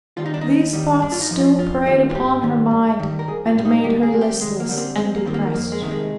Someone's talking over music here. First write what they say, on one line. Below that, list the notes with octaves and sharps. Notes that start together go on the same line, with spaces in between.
These thoughts still preyed upon her mind, and made her listless and depressed.
D#3 G3 F4
D#4
D4
D#2 D#4
D#3 G3
G2 D4
F4
D#4
F3
F4
F2 F4
D#3 G3 F4
F4
G#2 G4
D#3 G3
G2
D#3 G3
A#4
C2 G#4
F4
A#2 G3
D#4
D2 G4
G#4
C3 G3
G4
D#2 G#3
A#3
D3 G3
C4
G2 C4
A#3
D#3 G3 C4
A#3
F2 A#3
G#3
C3 D#3 A#3
G#3